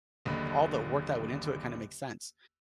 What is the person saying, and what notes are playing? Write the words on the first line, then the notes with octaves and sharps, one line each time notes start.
all the work that went into it kinda makes sense.
F#1 D#2 D3 D#5 B5